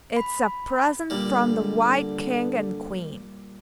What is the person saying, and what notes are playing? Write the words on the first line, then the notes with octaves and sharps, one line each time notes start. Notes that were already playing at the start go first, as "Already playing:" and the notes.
It's a present from the White King and Queen.
B5
A#2 D3 G3